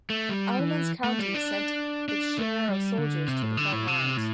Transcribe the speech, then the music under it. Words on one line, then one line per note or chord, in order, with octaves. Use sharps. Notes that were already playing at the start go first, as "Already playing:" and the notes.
Alamance County sent its share of soldiers to the front lines.
A3
G3
E3
A3
G3
D4
D4
A3
G3
D3
C3
A2
D3
A2
C3
A2